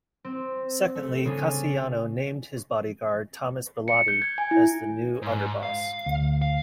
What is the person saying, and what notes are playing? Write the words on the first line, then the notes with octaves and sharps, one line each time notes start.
Secondly, Castellano named his bodyguard Thomas Bilotti as the new underboss.
C4
A3
C#3 G#3 C#4 D4
C#7
G6
G#6
G#5
E4
G#2
F5
D2
F5